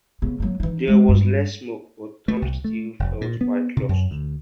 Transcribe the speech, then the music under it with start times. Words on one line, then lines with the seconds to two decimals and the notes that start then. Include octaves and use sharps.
There was less smoke, but Tom still felt quite lost.
0.22 C#3 B3
0.40 F#3 A#3
0.60 E3 D#4
0.88 G#3
1.09 G2
2.28 A3
2.42 C2
2.64 A3
3.00 F1
3.21 A#2
3.41 B3
3.77 C3
3.89 F#2
4.11 D2